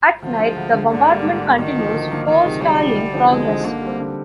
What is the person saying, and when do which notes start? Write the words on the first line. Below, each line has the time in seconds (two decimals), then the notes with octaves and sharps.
At night the bombardment continues, forestalling progress.
0.22 D2 F3
0.39 D3
0.44 G#3
0.56 D2
0.73 D3 G#3
0.90 G#2 D3
1.08 G3 A#3
1.24 G#2
1.42 G3 A#3
1.58 D2 D#3
1.76 D3 F3 A#3
1.93 D2
2.11 D3 F3 A#3
2.27 D2 D#3
2.44 C3 F3 G#3 D#4
2.61 D2 G3
2.79 C3 F3 G#3 D#4
2.96 D2
3.13 D3 F3 C4 D#4
3.30 D2 G#3
3.47 D3 F3 C4 D#4
3.64 D3 A#3
3.81 G3 C4
3.99 D3